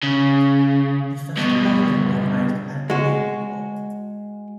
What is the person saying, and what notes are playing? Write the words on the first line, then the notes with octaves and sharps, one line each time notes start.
The festival is organized annually in April.
C#3
G2 B2
G#3 F#4